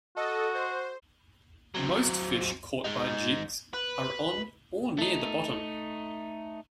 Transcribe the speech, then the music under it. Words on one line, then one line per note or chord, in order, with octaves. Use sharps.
Most fish caught by jigs are on or near the bottom.
F#4 A4 D#5
C5
F#3 C4
G#3 D#4
B4
A3 D#4